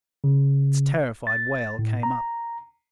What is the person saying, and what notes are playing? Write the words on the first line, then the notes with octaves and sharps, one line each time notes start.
Its terrified wail came up.
C#3
A6
A2
A#5